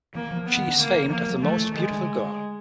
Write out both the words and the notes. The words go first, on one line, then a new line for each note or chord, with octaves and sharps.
She is famed as the most beautiful girl.
E3 A#3
F3
B3
D#3
D3
A#3
E3
F3 A#3
F#3
F3 A3
E3
D#3 G#3
D3